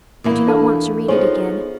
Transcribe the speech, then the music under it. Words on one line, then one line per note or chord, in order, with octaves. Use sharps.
I do not want to read it again.
E2 A#3 E4
D4 A4 F5
F3 B3 D#4 G#4 C5 C#5